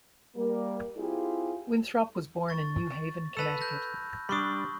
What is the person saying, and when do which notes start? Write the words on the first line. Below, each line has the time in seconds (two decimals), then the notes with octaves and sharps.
Winthrop was born in New Haven, Connecticut.
0.36 G3 A#3
0.97 C4 E4 F4 G4 G#4
2.49 C#6 A6
3.37 A4 B4 A5 B5 E6
3.61 F#6 G6 A#6
4.29 G3 D4 C6 C#6 D#6